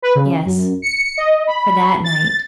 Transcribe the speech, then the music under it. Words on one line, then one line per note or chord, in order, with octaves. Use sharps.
Yes, for that night.
B4
C#3
F#2
C#7
D#5
B5
A6